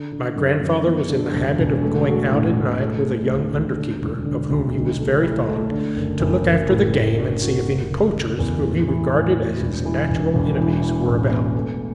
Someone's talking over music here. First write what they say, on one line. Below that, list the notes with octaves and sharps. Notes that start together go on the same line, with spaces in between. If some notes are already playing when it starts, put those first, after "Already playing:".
My grandfather was in the habit of going out at night with a young under-keeper, of whom he was very fond, to look after the game and see if any poachers, whom he regarded as his natural enemies, were about.
Already playing: D3
D3
F#2
F#2
B3
D3
E1
E1
A3
F#4
A2
A2
A3
A3
D2
D2
D3
E1
D3
D2
B1
A3
E4
A3
D3
F#1
F#1
F#1
A2
A2
D4
F#4
F#1
F#1
F#1
E2
A2
E3
A2
E3
E1
E3
E1
E1
E3
E3
A1
B3
A3